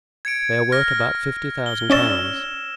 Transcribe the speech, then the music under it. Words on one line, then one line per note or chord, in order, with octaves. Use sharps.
They are worth about fifty thousand pounds.
G#6 C#7 D7
F6 A#6
G7
C#4 C#5 D5 E6 E7 G7